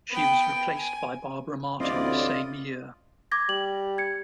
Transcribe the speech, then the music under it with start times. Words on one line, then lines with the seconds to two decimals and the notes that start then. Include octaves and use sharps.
She was replaced by Barbara Martin the same year.
0.11 B3 G5
0.76 G#5
1.80 A1 D2 C4 E4 F4 D5 D#5
3.31 D6 G#6 A#6
3.49 G3 F#7
3.98 G#6 C#7